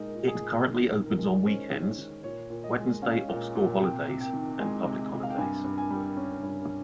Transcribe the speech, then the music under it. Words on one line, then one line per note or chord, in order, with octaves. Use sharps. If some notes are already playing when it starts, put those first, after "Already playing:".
It currently opens on weekends, Wednesday of school holidays, and public holidays.
Already playing: A#2 G#3 D#4 A#4 D#5
A#2
G#4
A#2
D#3
D#3
A#4
G#3
C#4 C5
D#3
D#3
A#2 C#5
A#2
D#5
G#3
C#4 F5
A#2
A#2
C3 G5
C3
G5
D#3
G#3 G#5
C3
C3
F5
G5
G2 G#5
G2
G#5
G3
C#4
G2